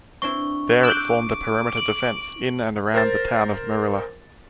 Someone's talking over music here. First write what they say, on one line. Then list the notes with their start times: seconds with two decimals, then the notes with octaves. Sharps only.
There it formed a perimeter defence in and around the town of Meriller.
0.22 C4 D4 E4 C#6
0.83 D6 E6 F#6 G6
1.75 D7 F#7
2.94 A#4 C5 A6